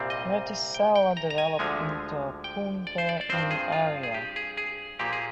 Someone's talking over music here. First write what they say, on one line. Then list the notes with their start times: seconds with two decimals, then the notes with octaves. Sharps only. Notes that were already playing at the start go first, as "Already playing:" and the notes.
Reticella developed into Punto in Aria.
Already playing: C2 A#2 G3 C4
0.10 D#5
0.74 G5
0.96 G5
1.17 A#5
1.30 A#5
1.38 G#5
1.59 D2 D3 F3 G#3
2.44 G5
2.87 D5
2.98 C5
3.09 D5
3.21 D5
3.30 G2 F3 C4 C5
3.51 G#4
3.72 F4
4.03 G#4
4.14 G4
4.36 G#4
4.57 G#4
4.99 A#2 F3 A#3 G4
5.13 G#4